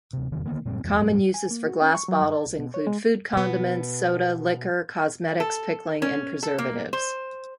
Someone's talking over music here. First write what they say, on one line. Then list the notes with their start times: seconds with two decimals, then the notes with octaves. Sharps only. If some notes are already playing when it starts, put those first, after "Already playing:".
Common uses for glass bottles include food condiments, soda, liquor, cosmetics, pickling and preservatives.
0.13 D1 C3
0.31 F1 E2 C3 D#3
0.45 D3 D#3 A#3 B3
0.65 F#2 A#2 G3 C4
0.84 E2 G2 F3 G#3
0.99 G#2 F#3 G3 A3
1.34 G#5
1.51 A#3
1.66 F#4
1.82 C#4
1.94 C#6
2.08 F#3
2.21 G2
2.34 D5
2.46 C2
2.59 B2
2.74 C#5
2.87 G#3
3.33 B2 B3
5.40 A4
6.02 C#4
6.43 A4
6.58 A#3
6.93 C5